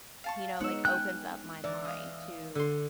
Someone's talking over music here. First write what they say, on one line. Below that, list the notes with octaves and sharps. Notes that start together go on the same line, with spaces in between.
you know, like, opens up my mind to
F5 A5 C#6
G#3 B3 D#4 C#5 F#5 E6
C#4 G5 F#6 G6
E3 A#4 D5
D#5 F5
D3 C6